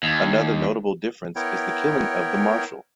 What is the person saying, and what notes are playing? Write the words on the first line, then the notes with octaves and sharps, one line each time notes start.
Another notable difference is the killing of the Marshall.
D#2
B3 E4 A#4 C#5 G5